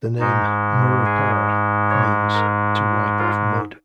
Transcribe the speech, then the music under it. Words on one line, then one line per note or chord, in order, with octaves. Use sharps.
The name "Murupara" means "to wipe off mud".
G#2 G#3 D#4
G#4
C#5
A#4
F4